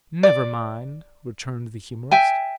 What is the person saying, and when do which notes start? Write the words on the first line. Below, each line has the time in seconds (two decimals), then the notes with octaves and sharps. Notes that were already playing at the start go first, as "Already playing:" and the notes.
"Never mind," returned the humorist.
0.23 D5
2.11 E5 G5 G#5